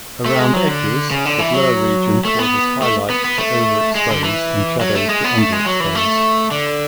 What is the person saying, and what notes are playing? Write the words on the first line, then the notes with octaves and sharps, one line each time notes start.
Around edges, the blur region causes highlights to overexpose and shadows to underexpose.
A3
G#3
F#3
D3
C#3
D3
E3
F#3
A3
B3
A3
B3
B3
A3
G#3
D3
E3
F#3
A3
G#3
B3
A3
G#3
F#3
E3
A3
D3